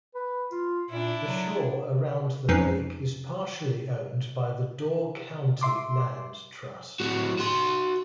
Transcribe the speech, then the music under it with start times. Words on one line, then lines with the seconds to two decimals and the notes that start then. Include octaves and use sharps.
The shore around the lake is partially owned by the Door County Land Trust.
0.14 B4
0.51 F4
0.90 A#2 D4 E4
1.25 F#3
2.48 F2 F3 C#4 D#4 B4 C7
5.61 E5 C6 D6
7.00 A2 F#4
7.39 F#4 C6